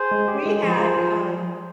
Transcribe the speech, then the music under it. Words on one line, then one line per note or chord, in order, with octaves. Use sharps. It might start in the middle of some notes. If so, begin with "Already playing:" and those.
We had, um
Already playing: G#4 C5
G#3
G4
G#3 G#4 C5
F3
F3 G#4 C5
F3